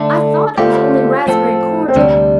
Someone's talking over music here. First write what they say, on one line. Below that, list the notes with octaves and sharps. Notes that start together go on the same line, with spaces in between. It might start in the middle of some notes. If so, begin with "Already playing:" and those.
I thought it was only raspberry cordial.
Already playing: D3 A3 D4
D3 A3 C4 F4 G4
A2 F3 C4 A4
C4
D2 C3 G3 D4